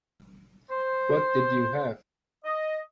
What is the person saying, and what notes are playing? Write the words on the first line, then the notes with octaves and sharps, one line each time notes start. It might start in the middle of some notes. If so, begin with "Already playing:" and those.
What did you have?
C5
D#5